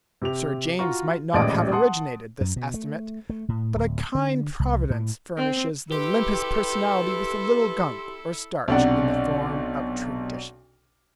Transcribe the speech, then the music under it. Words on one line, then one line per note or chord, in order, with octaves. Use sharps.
Sir James might not have originated this estimate; but a kind Providence furnishes the limpest personality with a little gum or starch in the form of tradition.
C3 G4 F7
F4 F#4 A#5 C#6
D#1 A1 G#3 D5 D#5 D7
F#5 A5 C6 D#6
F#2
B2
A3
A3
A2
D1
D3
C2
A2
C4
E4 G4 A4 B4 C6
B1 C3 D4 D5 F#5